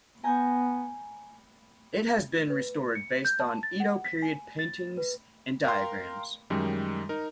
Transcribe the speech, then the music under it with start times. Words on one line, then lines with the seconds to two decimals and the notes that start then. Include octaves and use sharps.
It has been restored based on Edo-period paintings and diagrams.
0.24 B3 G#5 A#5 G6
2.50 B4
2.95 C#7
3.25 G6
3.40 A5
3.63 A6
3.80 F#5
4.05 B6
4.22 G#5
4.59 A6
4.97 B4
5.64 A#4 F5 G5 A#5 C6
6.50 F#2 D#3 G3 G#3
7.09 D#4 A#4